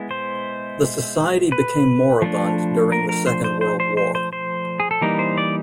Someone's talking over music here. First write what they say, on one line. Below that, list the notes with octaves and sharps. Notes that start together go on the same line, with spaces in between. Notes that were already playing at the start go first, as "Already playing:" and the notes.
The society became moribund during the Second World War.
Already playing: G#3 B3 E4
C5
B4
F3 A3 D4
A#4
A#4
C5
C5
C5
C5
C5
C5
C5
G#4
A4
E3 G3 A#3 D#4 A#4
C5
D5